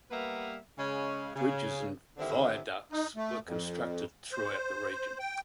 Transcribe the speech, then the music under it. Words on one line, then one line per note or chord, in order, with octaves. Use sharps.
Bridges and viaducts were constructed throughout the region.
G3 A#3 B3 A#4 B4 E5
C#3 G#3 C#4
C#3
D3 D#3 G3 C4 D4 E4
D#4
A3
F2
C5
G5